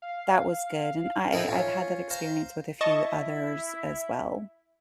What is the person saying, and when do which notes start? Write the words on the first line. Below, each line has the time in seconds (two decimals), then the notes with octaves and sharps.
that was good, and I I've had that experience with a few others as well.
0.02 F5
1.33 C4 D#4 E4 A4 A#4
1.48 C#4 F4
2.10 C5 F5 A#5
2.81 E4 D#5 A5 C#6